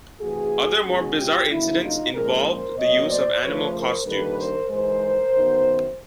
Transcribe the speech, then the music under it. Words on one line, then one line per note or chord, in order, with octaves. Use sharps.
Other more bizarre incidents involved the use of animal costumes.
C3 E3 A3 F#4 G#4
B2 G#3 C#4 F#4 G#4
F4 G4
E2 C#3 F#3 A#3 D4 E4
D#4 F4
A#2 F3 G#3 C#4 G#4 A#4
A#4 C5
A#2 F#3 B3 C#5 D#5
C5 D5
C#3 F3 A3 B4 C#5
A#4 C5
G2 D#3 G3 A#3 D4 A4 B4
A#4 C5
G#2 E3 G#3 A#4 C5
F#2 D#3 F#3 B3 D#4